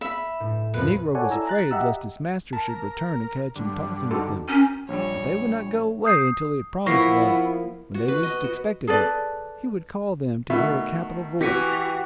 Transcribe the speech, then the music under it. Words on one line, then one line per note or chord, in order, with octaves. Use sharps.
The negro was afraid lest his master should return and catch him talking with them; but they would not go away until he had promised that, when they least expected it, he would call them to hear a capital voice.
E5 B5
A2
F2 A#2 B4
A4 C#5 D5 F#5 G#5
E4 A4 G#5 A#5 E6
A#5 F#6 A6
G4 D#5 E5 F#5 A#5 E6
A#4 A5
G2 D3
D#4 F#4 A4
C#4 A#4 G5
A#1 G3 C#5
D#6 G6 C7
F3 A#3 B3 E4 C#6 A#6 C7
F#4
B4
D#5
F#4
G#4 A4 B4 D5
B2 D#3 A3 E5
E3 F#4 G4 G#5 A#6 B6 C#7